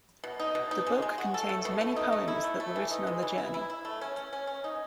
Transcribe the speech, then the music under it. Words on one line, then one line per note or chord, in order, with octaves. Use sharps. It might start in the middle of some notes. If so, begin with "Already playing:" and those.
The book contains many poems that were written on the journey.
B2
D#4
B2
D#4
G#3
G#3
F#4
A4
A3
B2
A3
D#4
A3
E4
A3
A3
E3
D#4
G#3
E3
E4
E4
E4
A3
C#4
C#4
C#4
C#4
D#4